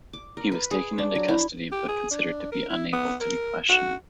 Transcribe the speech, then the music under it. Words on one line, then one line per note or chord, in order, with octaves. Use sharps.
He was taken into custody, but considered to be unable to be questioned.
D6
A#4
B4
G#4
D4
F#3
E4
G4
G#4
D4
A#4
E4
B3
A#4
F#4